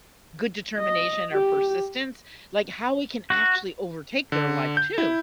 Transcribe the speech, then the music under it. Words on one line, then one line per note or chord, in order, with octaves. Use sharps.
good determination or persistence, like how it can actually overtake their life too.
D#5
G4
F#4
D3
G6
E4